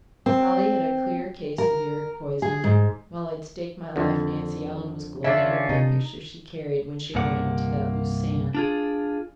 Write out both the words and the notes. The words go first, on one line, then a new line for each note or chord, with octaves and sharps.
Polly had a clear case of uric poison, while I'd stake my life Nancy Ellen was gloating over the picture she carried when she ran into that loose sand.
C4
A#4
G#4
G#2
F2 D3
C#3 C#4 D4 F4 E5
C3 D#4
C2 G2 C3 A#3 F#5
D4 F4 G#4